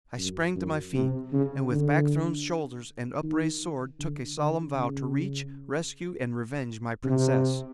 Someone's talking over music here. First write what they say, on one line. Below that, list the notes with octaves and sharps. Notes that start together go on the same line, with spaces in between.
I sprang to my feet, and with back-thrown shoulders and upraised sword took a solemn vow to reach, rescue, and revenge my Princess.
F#2
F#2
C3
C#3
D3
D#3
D3
D3
C#3
C3